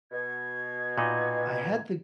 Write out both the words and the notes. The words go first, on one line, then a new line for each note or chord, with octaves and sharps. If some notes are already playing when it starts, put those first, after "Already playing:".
I had the
B2 G#6
A#2 B3 D#4